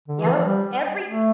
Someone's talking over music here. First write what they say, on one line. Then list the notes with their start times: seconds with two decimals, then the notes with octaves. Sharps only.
Yep, every
0.08 D3
0.20 E3
0.33 F3
0.45 G3
1.06 A3